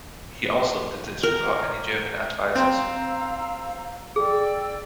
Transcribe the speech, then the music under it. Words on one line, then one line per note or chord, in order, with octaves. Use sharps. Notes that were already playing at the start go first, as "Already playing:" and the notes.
He also did this without any German advisors.
A#4
C4 C5 F5 A#5 E6
G#4 D5 G5 E6